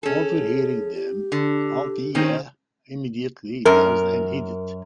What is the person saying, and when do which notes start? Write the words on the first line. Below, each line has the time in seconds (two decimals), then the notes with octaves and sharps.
Overhearing them, Althaea immediately doused and hid it.
0.03 C#4 G#4 A4
0.95 G4
1.32 D3
2.15 D#3 C4 C#4 C5
3.65 F#2 A#4